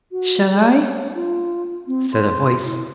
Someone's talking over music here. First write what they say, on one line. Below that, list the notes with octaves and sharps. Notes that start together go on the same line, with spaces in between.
"Shall I?" said a voice.
F#4
G#4
C#5
F4
C4
C6
E4